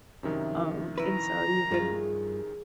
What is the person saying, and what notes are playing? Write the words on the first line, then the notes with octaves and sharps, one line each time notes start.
Um, and, so, even
F#2 C3 D#3 F3 E4
E4 B4 A#5 C#6 D#7
G2 F4 G#4